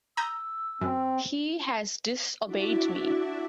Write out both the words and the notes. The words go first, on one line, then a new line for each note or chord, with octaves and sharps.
He has disobeyed me.
A#5 D#6 E6 G6
F#2 C4
D4 E4 F#4 D5 E5